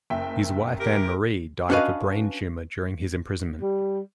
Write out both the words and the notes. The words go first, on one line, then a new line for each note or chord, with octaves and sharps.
His wife Anne Marie died of a brain tumour during his imprisonment.
F#1 E5 G5
G4 A#4
C#4 D4 F#4 B4 D#5 F5
G3